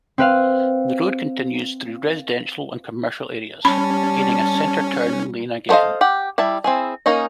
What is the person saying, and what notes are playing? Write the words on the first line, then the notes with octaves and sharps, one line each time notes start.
The road continues through residential and commercial areas, gaining a center turn lane again.
C4 B4 F5
G3 C#4 A5 B5
B3 A4 C5 D#5 F5
G4 F#5
G3 E4 E5 A5
C4 E4 G#4
A#3 C#4 D#4 D#5